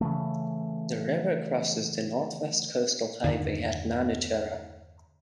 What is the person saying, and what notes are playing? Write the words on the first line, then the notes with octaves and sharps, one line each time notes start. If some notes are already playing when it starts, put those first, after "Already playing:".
The river crosses the North West Coastal Highway at Nanutarra.
C#3 E3 A3
E2 G2 D3 D#3